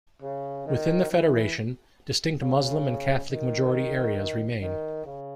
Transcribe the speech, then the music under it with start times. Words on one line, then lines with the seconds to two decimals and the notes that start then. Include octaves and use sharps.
Within the Federation, distinct Muslim and Catholic majority areas remain.
0.22 C#3
0.66 D#3
1.10 E3
2.41 C#3
3.29 D#3
4.61 D#3
5.05 C#3